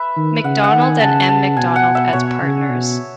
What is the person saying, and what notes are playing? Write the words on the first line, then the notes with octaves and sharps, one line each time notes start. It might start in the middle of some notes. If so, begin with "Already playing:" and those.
McDonald and M. McDonald as partners.
Already playing: B4 E5
D#3
C#3 F#5
F#5
D#3
G#5
C#3 A5
A5
B2 G#5
F#5
E5
B2 C#5
C#3
B2